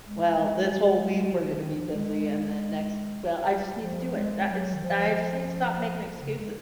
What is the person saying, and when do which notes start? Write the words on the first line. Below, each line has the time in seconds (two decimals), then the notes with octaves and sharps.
Well, this whole week we're gonna be busy, and then next well, I just need to do it. That it's I just need to stop making excuses,
0.05 G#3
0.39 G#3
0.73 G#3
1.32 F3
1.41 D#3
1.59 D#3
1.76 F3
1.93 G#3
3.81 F3
4.15 G#3
4.49 F#3
4.74 D#3
4.84 F3
6.21 C#3
6.38 G#3